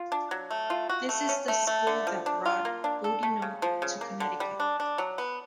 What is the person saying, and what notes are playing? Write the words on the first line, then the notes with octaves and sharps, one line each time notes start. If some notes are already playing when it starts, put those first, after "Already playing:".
This is the school that brought Boudinot to Connecticut.
Already playing: F4
D4
F#3
A3
F4
F#4
A3
C#4
A3
A3
D3
F3
D4
F4
A#3
D4
A4
A3
C#3
F3
C#3
A#3
D3
G3
D4
D4
F#3
B3